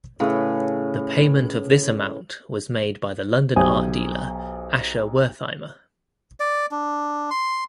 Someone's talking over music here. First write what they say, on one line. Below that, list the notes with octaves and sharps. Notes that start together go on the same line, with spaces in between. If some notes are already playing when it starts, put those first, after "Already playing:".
The payment of this amount was made by the London art dealer Asher Wertheimer.
A2 C#3 G#4 B4
B1 G4 C5 G#5 D#6
D5
D4
C6